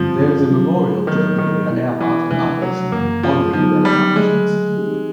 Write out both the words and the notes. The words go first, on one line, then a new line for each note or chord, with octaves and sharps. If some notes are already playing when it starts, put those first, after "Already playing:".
There is a memorial to Amelia Earhart and others, honoring their accomplishments.
Already playing: G2 D3 F3 G3 C4
D3 F#3 A3
D#3 F#3 B3 D#4
D#3
B2 G3 B3 E4
E3
E2 C3 E3 F3 A3 D4
F#3
F#2 C#3 E3 A#3
F3
D3 F3 F#3 B3 D#4
G3
D3 F#3 G#3 A3
E3 G3 C4 D#4 G4